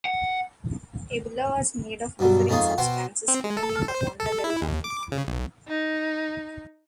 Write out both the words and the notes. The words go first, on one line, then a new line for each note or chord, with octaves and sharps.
A bulla was made of differing substances depending upon the wealth of the family.
F#5
G2 B2 F#3
F2 D#3 G#3 C#4 F4 G#4
B2 F#4 C5 F#5 G5
C4
G#3
A4
C5
A4
E4
D#2
D6
C#3
B1
D#4